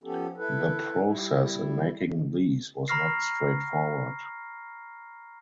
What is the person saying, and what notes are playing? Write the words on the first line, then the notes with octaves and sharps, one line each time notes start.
The process in making these was not straight forward.
F3 B3 C#4 G4 A4
E4 A4 B4
G3 E4
A#5 B5 C#6 F6 A#6 C7